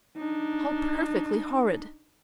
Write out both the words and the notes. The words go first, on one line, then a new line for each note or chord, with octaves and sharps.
How perfectly horrid!
D4 D#4